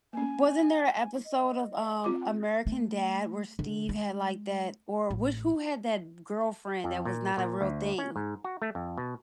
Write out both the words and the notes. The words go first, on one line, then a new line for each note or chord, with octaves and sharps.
W wasn't there a episode of, um, American Dad where Steve had, like, that or which who had that girlfriend that was not a real thing?
A#3 C#4 G#5
D#5
C4 F4 D6
A3
D3
G#3
A1
F2
A#2
A#2
D2
C#4
G#2
F#4
A3
F2
B2